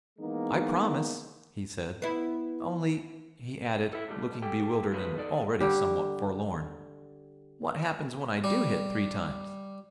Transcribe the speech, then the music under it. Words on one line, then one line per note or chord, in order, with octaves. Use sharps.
"I promise," he said. "Only," he added, looking bewildered and already somewhat forlorn, "what happens when I do hit three times?"
E3 G#3 A#3 B3 D#4
B3 E4
E4 A4
C#2 G3 A3
G4 A4 G5
F3 A3 F#4 G#4 B4
C3 D#4 A4 D5
D3 G3 G4
G3